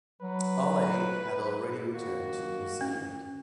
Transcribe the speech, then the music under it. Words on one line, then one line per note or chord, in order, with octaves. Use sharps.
All eight had already returned to New Zealand.
F#3 B4
D#3 A#3 F#4
C#4